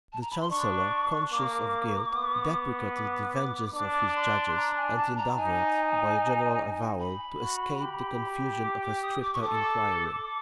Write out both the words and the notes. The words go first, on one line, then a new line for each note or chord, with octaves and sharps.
The chancellor, conscious of guilt, deprecated the vengeance of his judges, and endeavored, by a general avowal, to escape the confusion of a stricter inquiry.
A5
A#5
B5
C6
D4 C#6
A#3 D6
B3
D6
D6
D4 D6
C6
A#5
G#5
A5
A#5
D#4 G#5
B5
F#4
G4
D6
D6
D#6
D6
C#6
A4 D6